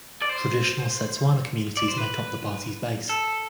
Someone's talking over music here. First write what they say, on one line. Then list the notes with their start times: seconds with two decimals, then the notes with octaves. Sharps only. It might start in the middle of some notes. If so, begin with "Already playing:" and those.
Traditional Setswana communities make up the party's base.
0.22 D5
0.29 C5
1.77 D5
1.88 C5
1.98 B4
3.09 A4